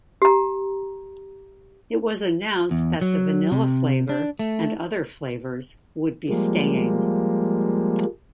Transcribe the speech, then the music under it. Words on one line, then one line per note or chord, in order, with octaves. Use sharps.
It was announced that the Vanilla flavor and other flavours would be staying.
G4 A#5
E2
F#3
C3
D4
A3
F3 G3 G#3 A#3